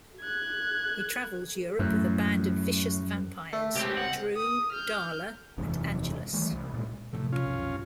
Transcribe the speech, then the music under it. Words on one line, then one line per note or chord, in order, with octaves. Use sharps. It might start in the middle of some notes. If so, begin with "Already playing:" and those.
He travels Europe with a band of vicious vampires, Dru, Darla, and Angelus.
F#6 G#6
F#2 A2
A3
C#2 C4 G4
F#5
D#6
F6 G6
F#1 E2 G#2 C3
D#3 E3 G3 A3
C2
A#2 G#3
A2 C3 F3 F#3
C#4 F4
B1 F2
G2